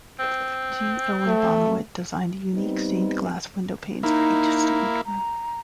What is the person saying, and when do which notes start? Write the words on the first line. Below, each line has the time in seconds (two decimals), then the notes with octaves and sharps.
G. Owen Bonawit designed unique stained glass windowpanes for each student room.
0.19 C4
1.27 A3
2.55 G3 B3 C4 D#4
4.03 A#3 D#4 E4
5.06 A#5